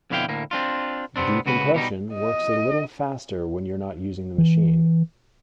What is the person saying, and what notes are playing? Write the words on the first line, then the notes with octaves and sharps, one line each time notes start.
Decompression works a little faster when you're not using the machine.
F2 B2 D3 E4 F5 G5
D2 A2 A#3
C4 D4 F4
C3 B3 C4 D4
C#2 C#3 F#4 B4
B2 G3 D#4
D#5
E3